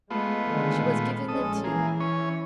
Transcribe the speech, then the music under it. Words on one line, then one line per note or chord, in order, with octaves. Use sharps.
She was giving them tea.
G#3 A3 B3 F4
D3 D#3 G#3
A#2
A#1 G#3 C#4 A4 D#6
E3 A#3 G#4
C#4 C#5